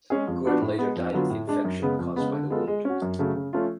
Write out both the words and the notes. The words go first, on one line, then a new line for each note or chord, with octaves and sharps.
Gordon later died of the infection caused by the wound.
G#3 C#4 G#4
F2
F3 B3 D4 F#4
A2
G#3 B3
F2
D3 F#3 B3 F4
A2
G#3 D4
F#2
C#3 G#3 B3
F2
C#3 G#3 B3
D3
G#3 B3 F4 A4
G#3
C#4 F#4
F#2
C#3 F#3 A3
C#3
F3 A3 C#4 F4